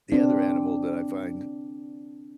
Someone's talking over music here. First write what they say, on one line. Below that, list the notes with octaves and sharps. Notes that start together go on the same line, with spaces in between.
The other animal that I find
C4 D4